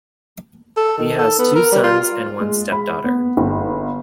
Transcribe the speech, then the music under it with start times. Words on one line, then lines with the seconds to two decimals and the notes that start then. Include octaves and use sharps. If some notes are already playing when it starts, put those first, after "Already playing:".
He has two sons and one stepdaughter.
0.77 A4
0.97 D#3
1.19 A4
1.38 B3
1.55 A#4
1.72 G3
1.83 F4
2.40 G#3
2.72 B5
3.04 B3
3.37 G1